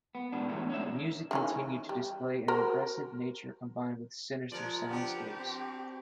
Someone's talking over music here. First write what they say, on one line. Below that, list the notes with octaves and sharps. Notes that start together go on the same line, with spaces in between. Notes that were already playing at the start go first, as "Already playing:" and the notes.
The music continued to display an aggressive nature combined with sinister soundscapes.
B3
G#2 B2 D4
E2 G#2 G#3 A3 B3
C#4 D4 E5
D#3 E3 C#4
G3
F#4 A#4 C5
F3 G#3 A#4 D5
B3 D4 G4 A#4
C4